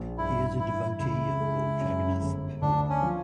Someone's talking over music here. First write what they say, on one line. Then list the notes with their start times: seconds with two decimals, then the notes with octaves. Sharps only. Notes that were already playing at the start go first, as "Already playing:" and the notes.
He is a devotee of Lord Jagannath, Puri.
Already playing: A#1
0.18 G2 E4
0.59 E3 E4
0.99 C#2 E4
1.40 G#3
1.80 F#2
2.22 G1
2.62 D2 D4
2.89 C#4
3.02 F3